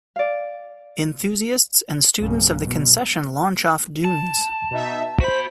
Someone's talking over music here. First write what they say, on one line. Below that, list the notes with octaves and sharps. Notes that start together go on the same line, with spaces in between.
Enthusiasts and students of the concession launch off dunes.
D5 F5
B1 G2 C#3 A#3
B2
A5
B2 D#4 E5
F#4 C5 B5 B6